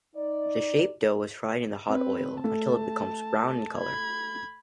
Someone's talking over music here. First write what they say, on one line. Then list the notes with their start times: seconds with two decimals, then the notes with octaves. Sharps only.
The shaped dough is fried in hot oil, until it becomes brown in colour.
0.15 D#4 D5
1.89 C4 B4
2.44 A3 A5
3.78 B5 G#6